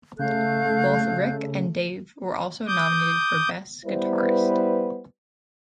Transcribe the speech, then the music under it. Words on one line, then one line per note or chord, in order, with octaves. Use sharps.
Both Rik and Dave were also nominated for "Best Guitarist".
C#3 A3 F5 F#6 G6
D6 D#6 G6
G3 B3 E4 B4 C5